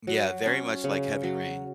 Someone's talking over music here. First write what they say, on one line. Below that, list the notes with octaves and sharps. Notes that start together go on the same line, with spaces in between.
Yeah, very much like Heavy Rain.
F#3
C#4
C#3
F#3